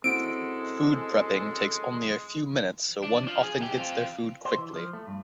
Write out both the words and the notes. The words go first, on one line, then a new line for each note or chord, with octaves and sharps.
Food prepping takes only a few minutes so one often gets their food quickly.
F#2 G#3 C4 E4 F#4 A4 D7
D4
F3
G#4
D2 G4
C4 F4
C5
E3
F3
A3
G2